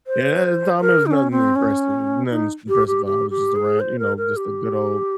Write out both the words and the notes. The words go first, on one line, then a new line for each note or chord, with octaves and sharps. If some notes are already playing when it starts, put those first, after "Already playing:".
yeah, at the time it was nothing impressive, it was nothing impressive about it, it was just a ran you know, just a good old
C5
A#4
D#4
C#4
C4
C#4
D#4
G4
G4
G4
G4
G#4
C5
A#4
A#4
G4